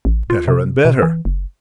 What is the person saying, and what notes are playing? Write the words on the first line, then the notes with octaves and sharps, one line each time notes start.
Better and better.
A1
F4
C3
B2
E3
F#1